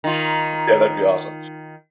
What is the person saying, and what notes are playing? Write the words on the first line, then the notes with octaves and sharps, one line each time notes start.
yeah that'd be awesome.
D#3 F4